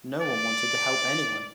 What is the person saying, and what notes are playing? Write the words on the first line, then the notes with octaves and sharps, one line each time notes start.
No one wanted to help anyone.
D5